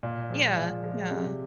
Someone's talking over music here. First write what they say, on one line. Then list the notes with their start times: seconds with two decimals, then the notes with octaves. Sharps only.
Yeah, yeah.
0.03 A#2
0.30 F3 G#3
0.56 A#2
0.83 F3 G#3
1.11 C3